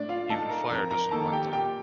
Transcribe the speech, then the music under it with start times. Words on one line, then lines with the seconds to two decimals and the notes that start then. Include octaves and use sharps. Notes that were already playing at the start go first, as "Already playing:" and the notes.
Even fire doesn't want them.
Already playing: A2 D4 D5
0.09 F4 F5
0.29 A3 D#4 A4 A5
0.49 A#4 A#5
0.70 F2 A#4 A#5
0.91 A#4 A#5
1.11 D#3 A#3 A4 A5
1.32 G4 G5
1.52 A#2 G4 G5